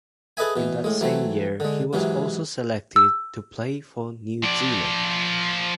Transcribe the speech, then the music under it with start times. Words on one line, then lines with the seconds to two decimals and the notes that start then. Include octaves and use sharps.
In that same year he was also selected to play for New Zealand.
0.37 G#4 A4 B4 D#5 E5 G#5
0.56 B2 E3
0.84 A2 G#3
1.01 E3 F#3 A3 C4
1.60 D3 G#3
1.93 G#2 C3 E3 F#3
2.96 E6
4.44 F3 D5